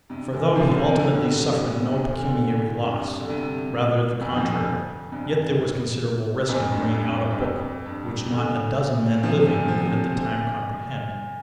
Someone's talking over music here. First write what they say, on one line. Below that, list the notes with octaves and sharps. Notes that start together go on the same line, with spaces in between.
For though he ultimately suffered no pecuniary loss, rather the contrary, yet there was considerable risk in bringing out a book which not a dozen men living could at the time comprehend.
G2 C3
A#2 D3
C3 F3
A#2 D3
C3
D3
G2 C3
G2 C3
A#2 D3
A#2 D3
G2 C3
D3
G2 C3
F2 A#2
C3 F3
A#2 D3
G2 C3
F2 A#2
G2
F2
G2
G2
F2
G2
C3
A#2 D3
C3 F3
C3
A#2 D3
C3 F3
A#2 D3
A#2